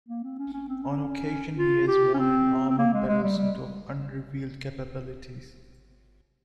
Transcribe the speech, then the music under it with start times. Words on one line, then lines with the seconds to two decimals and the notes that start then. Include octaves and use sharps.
On occasion, he has worn an armored battlesuit of unrevealed capabilities.
0.08 A#3
0.23 C4
0.39 C#4
0.53 C#4
0.68 C4
0.83 C#4
1.58 F4
1.88 G4
2.14 C#4
2.19 C4
2.70 C4
2.78 A#3
2.93 G#3
3.08 G#3
3.23 G3
3.38 G3